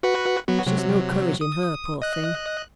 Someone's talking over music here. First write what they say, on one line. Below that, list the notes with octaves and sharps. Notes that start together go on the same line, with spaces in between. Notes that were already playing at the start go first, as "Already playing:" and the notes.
She's no courage in her, poor thing!'
F#4 B4 F#5
F#3 B3 F#4
C3 F#3
D#6
D#5 F#6